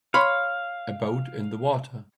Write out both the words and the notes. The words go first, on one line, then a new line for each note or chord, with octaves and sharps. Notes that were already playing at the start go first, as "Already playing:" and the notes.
A boat in the water.
C#5 F5 B5 C6